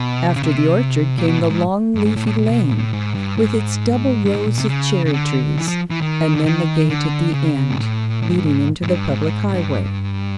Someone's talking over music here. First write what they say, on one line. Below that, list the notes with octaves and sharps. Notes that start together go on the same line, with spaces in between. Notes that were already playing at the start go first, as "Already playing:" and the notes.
After the orchard came the long leafy lane, with its double rows of cherry-trees, and then the gate at the end, leading into the public highway.
Already playing: B2
C3
C#3
C3
A#2
B2
A2
G#2
G2
G#2
A2
A2
A#2
B2
A2
G#2
G2
G#2
G2
G#2
A#2
C3
C#3
C#3
D3
E3
F3
E3
D#3
D3
D#3
D3
C#3
G#2
A2
A2
G#2
G2
G#2
G#2
G2
G#2
G2